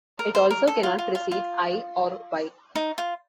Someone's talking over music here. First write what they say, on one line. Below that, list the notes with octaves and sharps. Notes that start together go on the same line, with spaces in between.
It also cannot precede "i" or "y".
A#4
C5
A#4
A4
F4
F4
F4
F4
D#4
F4